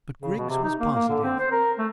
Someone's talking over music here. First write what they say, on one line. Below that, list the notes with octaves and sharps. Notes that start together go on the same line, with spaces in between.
But Griggs was positive.
C#3
B2
C3
D#4
A#3
A#3
D3
C4
C5
A#4
A3